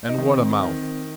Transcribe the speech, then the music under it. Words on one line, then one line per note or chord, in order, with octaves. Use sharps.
And what a mouth!
D#4
D#3 C4
D#3